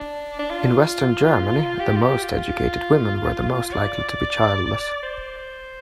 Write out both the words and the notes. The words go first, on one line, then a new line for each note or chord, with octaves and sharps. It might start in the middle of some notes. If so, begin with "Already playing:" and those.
In western Germany the most educated women were the most likely to be childless.
Already playing: D4
D4
F4
G4
F4
G4
F4
D5
C5